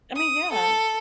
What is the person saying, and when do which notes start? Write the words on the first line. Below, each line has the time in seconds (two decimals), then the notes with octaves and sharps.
I mean, yeah.
0.16 D#6
0.52 A4